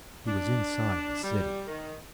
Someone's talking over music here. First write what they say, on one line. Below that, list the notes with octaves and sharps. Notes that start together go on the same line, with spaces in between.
He was inside the city.
D4
G3
D#3